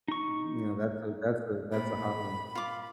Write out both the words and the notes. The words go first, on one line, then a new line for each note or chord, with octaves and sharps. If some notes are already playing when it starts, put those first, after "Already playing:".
You know, that's a that's a that's a hot one.
D#4 C#6
A#2 C4 B5
F4 D6